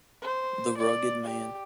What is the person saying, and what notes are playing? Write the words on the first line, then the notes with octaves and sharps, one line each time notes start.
The Rugged Man.
C5
D5
G4